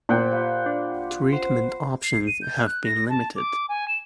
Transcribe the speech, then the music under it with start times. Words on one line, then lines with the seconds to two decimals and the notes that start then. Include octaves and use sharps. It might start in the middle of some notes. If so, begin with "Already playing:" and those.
Treatment options have been limited.
0.09 A#2 C5 F#5 G5
0.31 F4 G4 B4
0.66 D4
1.33 C5 F#5 C#6
2.04 C7
2.27 D#7
2.42 G6
2.66 F#6
2.85 A#6
3.10 A5
3.36 D6
3.69 G#5
3.88 E7